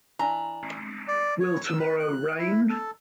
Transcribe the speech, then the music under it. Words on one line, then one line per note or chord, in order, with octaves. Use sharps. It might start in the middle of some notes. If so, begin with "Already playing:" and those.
Will tomorrow rain?
E3 D4 A#5
D5
C#5
E6
B4
F#6
E4
A4